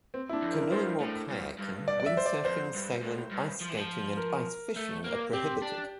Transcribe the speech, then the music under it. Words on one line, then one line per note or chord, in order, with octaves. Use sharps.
Canoeing or kayaking, windsurfing, sailing, ice skating and ice fishing are prohibited.
C4
E4
D4
F2
A#4
G2 C5
A2
G2
G2
D5
D5
E5
C5
D5
F2 C5
G2
A2
G2
F3
E3
F3
A#4
A3
A#3
C4 G4
D4